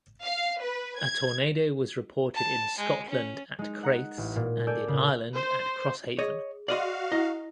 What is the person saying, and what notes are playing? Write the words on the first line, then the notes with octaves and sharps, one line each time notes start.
A tornado was reported in Scotland at Crathes and in Ireland at Crosshaven.
F5
B4
G#6
A5
G#3
C#4
G#3 D#4
F#5 A#5 C#7
A1
A#2
A4 D5 G#5 D6 G6
A#2 C#3
C5
G#4 C#5 D#5
F#4 D5 D#5 F5 C6
E4 D#5